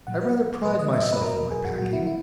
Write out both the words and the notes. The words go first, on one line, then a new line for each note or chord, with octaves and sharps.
I rather pride myself on my packing.
A#2 F#3 F#5
B4
A#2 F#3 B4
D#5
E5
D#5
B4
B2 F#3 A#4
A#4
G#4
F#4
A#2 F#3 F#4
E4
E4